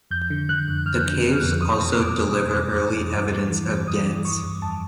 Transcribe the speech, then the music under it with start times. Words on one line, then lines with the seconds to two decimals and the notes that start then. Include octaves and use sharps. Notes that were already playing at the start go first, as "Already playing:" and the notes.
The caves also deliver early evidence of dance.
0.11 F2 G6
0.30 D3
0.49 D3 F#6
0.68 F2
0.86 F2 F6
1.06 D3
1.24 D3
1.42 F2
1.62 E2 D#6
1.81 B2
1.99 B2 D6
2.19 E2
2.37 E2
2.56 B2
2.75 B2
2.93 E2
3.12 G2
3.31 E3
3.50 E3
3.69 G2
3.87 G2 D#6
4.07 E3
4.25 E3 C#6
4.44 G2
4.62 F2 A5